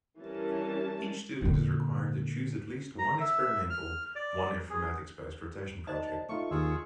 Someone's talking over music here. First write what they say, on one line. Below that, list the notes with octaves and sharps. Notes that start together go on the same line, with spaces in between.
Each student is required to choose at least one experimental one informatics-based rotation project.
E3 G3 C#4 A#4 A5
A#2 D3
A#5
E5
F6
D5
G#4
D#4 C5 D5 D#5 A5
A3 D#4 F4 C#6
D#2 F4 G#4 E6